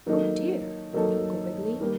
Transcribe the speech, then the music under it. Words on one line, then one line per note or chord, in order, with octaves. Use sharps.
"Oh, dear!" thought Uncle Wiggily.
D#3 F#3 A#3 D#4 A4
D#3 F#3 A#3 D#4 A4
D#3 G3 A#3